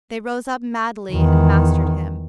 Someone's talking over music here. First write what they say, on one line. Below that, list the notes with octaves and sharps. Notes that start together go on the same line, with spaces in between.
They rose up madly and mastered him.
E2 D#3